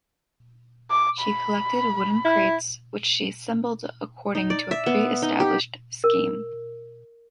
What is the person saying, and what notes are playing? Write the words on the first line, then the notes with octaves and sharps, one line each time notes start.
She collected wooden crates, which she assembled according to a pre-established scheme.
D6
B5
E4
D#4
D5
E5
B3
D#4
G4
A#4